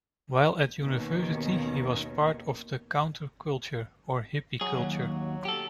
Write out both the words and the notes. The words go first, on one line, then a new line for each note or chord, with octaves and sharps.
While at university he was part of the counter culture, or hippie culture.
D#2 B2 D#3 A#3 C#4
F#3 G#4
D#2
G4 A4